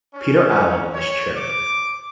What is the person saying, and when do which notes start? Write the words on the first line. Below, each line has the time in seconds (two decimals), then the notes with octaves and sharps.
Peter Allen is chairman.
0.14 C#4
0.93 C#5
1.36 D6